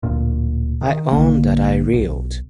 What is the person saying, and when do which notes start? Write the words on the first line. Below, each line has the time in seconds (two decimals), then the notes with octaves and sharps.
I own that I reeled.
0.03 D1 A#2
0.81 D#3
1.12 A#1 D3 A#3
1.93 B1